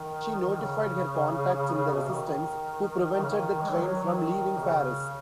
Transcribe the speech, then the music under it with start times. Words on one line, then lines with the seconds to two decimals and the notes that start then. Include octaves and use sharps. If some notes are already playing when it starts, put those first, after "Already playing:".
She notified her contacts in the Resistance, who prevented the train from leaving Paris.
Already playing: D#3
0.48 D#3
0.59 C#3
1.95 B2
2.02 C#3
2.11 D#3
3.11 D#3
3.22 C#3
3.32 D#3
3.62 G#3
3.69 F#3
3.76 D#3
3.83 F#3
4.01 F#3
4.12 D#3
4.57 B2
4.62 C#3